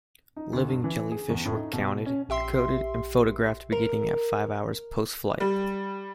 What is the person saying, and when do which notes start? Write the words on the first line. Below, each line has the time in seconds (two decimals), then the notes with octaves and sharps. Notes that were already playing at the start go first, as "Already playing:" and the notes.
Living jellyfish were counted, coded, and photographed beginning at five hours postflight.
0.36 D#4
0.53 D2
0.69 G2
0.84 E3
1.12 G#4
1.30 E2
1.45 A2
1.57 D#4
1.73 B2
2.06 C#4
2.29 A#1 G4 E5 C6
3.72 A#4
5.40 G3